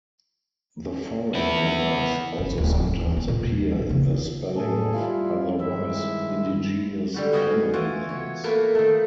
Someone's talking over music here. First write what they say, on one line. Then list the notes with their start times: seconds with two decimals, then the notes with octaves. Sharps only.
The "foreign" letters also sometimes appear in the spelling of otherwise-indigenous family names.
1.34 B3 E4
2.38 G1
2.58 D1
2.84 G#2
3.01 D#2
3.17 B3
3.28 A#2
3.42 D#2
3.79 A#1
3.90 C#3
4.10 F4
4.57 A2 G#4 A4
4.94 G3 E4 F4
5.61 G2 D#3 G#3 E4 E5
7.14 D3 G3 F#4
7.32 B3 F#4 D#5 F5 G5 G#5
7.74 E3 F4 F#4
8.09 C#5
8.44 A3 A#3 A#4 B4
8.75 D#3 A3